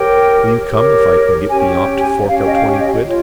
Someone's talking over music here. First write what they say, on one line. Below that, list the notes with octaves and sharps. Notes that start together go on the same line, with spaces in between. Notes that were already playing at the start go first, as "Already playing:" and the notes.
Will you come if I can get the aunt to fork out twenty quid?
Already playing: G4 A#4 C#5 G5
G4 A#4 C#5
C#4 G4 C#5 G#5
G#5
C#4 G4 C#5 F5
D#5
F5
D#5
F4 C#5